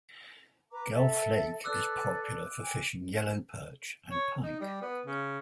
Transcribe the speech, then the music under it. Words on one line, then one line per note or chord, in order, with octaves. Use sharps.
Guelph Lake is popular for fishing yellow perch and pike.
B4 A#5 D6
A4 E5
A4 B4 D5 D6 E6 F#6
G5 G#5
C#5
D#4
G3
B3
C#3